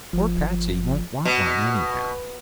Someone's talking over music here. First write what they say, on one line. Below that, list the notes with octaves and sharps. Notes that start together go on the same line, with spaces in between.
Poor Patsey won't want one, anyhow.'
G1 F3
B2